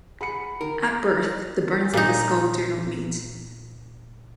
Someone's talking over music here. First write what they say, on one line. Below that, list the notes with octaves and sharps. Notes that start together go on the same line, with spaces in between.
At birth, the bones of the skull do not meet.
G#4 F#5 B5 C#7
D#3 A#4
A#2 D#4